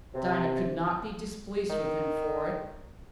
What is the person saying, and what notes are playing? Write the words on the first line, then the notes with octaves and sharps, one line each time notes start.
Dinah could not be displeased with him for it.
C3
D#3